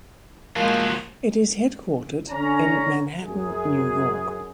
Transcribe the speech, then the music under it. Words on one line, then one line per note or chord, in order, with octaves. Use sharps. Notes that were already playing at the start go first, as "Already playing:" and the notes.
It is headquartered in Manhattan, New York.
F3 F#3 G#3 A#3
D3 C#4 A#5
F#2 G#4